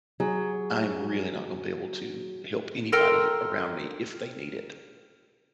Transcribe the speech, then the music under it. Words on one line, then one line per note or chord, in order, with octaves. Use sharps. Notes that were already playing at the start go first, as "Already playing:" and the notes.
I'm really not gonna be able to help anybody around me if they need it.
F#3 G#4
A4 A#4 G5 C6